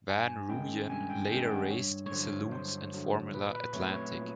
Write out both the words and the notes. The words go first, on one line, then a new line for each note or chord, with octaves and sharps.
Van Rooyen later raced in saloons and Formula Atlantic.
G2 G#5
D#3 G#3 C#4 G5
G2 G#5
G5
D#3 G#3 C#4 G5
F#5
G2 C#5
C#5
D3 F#3 C5
G2 C5
D3 F#3
A#2 B4
B4
F#3 A3 C4 C#5
C#5
A#2